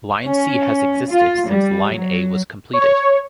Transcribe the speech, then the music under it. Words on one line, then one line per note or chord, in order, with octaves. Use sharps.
Line C has existed since line A was completed.
C#4
F4
G3
F#3
C#5